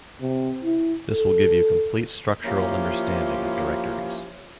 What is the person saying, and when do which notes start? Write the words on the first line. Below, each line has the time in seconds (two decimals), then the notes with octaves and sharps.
This will give you complete structural understanding of directories.
0.22 C3
0.64 E4
1.11 A4
2.44 F3 A#3 C#4 E4 F4 G4